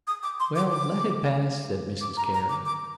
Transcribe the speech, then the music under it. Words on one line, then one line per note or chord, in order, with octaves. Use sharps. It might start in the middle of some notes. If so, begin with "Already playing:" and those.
"Well, let it pass," said Mrs Carey.
D#6
D6
C6
D6
D6
D6
A#5
A#5
D6
D6